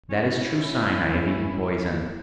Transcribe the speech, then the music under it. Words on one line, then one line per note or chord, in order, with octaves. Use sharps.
That is true sign I have eaten poison....
C#4 E4